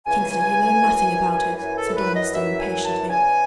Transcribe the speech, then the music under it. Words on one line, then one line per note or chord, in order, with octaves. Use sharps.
"Kingsley, you know nothing about it!" said Ormiston, impatiently.
C#2 C#3 E3 G#5
F#2 E3
F#2 E3 G#5
A4
B4
D#5
F#2 E3 E5
G#5
A5
E2 C#3 E3 G#5